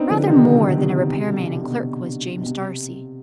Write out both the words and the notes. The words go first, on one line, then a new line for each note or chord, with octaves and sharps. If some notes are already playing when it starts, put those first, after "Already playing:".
Rather more than a repair man and clerk was James Darcy.
Already playing: B3 C4 D4 D#4
D3 F3
C3 D#3
D#3
B2 D3
D3
C3
C3
B2 D3
C3
B2 D3
B2
C3